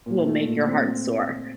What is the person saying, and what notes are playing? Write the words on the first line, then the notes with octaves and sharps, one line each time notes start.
will make your heart soar,
A#2
A3
A#2
C4